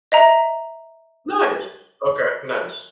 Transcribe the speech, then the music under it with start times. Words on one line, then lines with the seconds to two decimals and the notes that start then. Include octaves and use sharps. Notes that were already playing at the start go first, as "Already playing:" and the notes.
Nice. Okay, nice.
0.12 D#5 E5 A#5